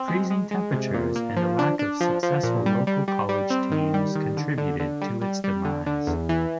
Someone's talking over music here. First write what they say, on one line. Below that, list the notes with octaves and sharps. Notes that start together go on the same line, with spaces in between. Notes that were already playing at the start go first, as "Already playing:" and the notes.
Freezing temperatures and a lack of successful local college teams contributed to its demise.
Already playing: C4
G#3
G#3
G#3
C3
A#2
A#3
F3
D4
D4
F3
F3
A#2
G3
G3
G3
G3
C4
D#3
G3
D#3
D3
D3
D3
G3
G3
G3
D3
D3
E2
E3